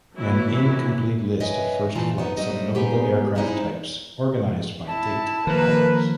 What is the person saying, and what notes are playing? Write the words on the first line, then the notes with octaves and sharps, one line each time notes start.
An incomplete list of first flights of notable aircraft types, organized by date, follows.
E3 F#3 A#3 E4 F#4
B4 C#5 D#5 E5 G5 G#5
A#2 E3 F4 A5
B3 D#4
F#3 G3 A3 C5 D#5
B3 D#4 G4 G#4
F#3 G#3 C4 D#4 E4 C5
E4 A5
D#3 F3 A#3 A#4 B4